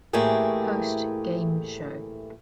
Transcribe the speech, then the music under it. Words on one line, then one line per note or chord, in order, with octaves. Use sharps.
Post game show.
A2 E3 A3 A#3 G4 G#4